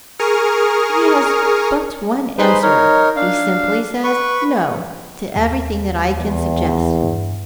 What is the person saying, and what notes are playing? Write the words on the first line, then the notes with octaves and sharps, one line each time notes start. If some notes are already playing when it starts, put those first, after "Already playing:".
He has but one answer--he simply says No to everything that I can suggest.
G#4 A#4 C#6 D#6 F6
D#4 G#4 B4 C5 B5 C6
D#4 A#4 C#5
D4 F5
B4 C#6
D#2
E2
G2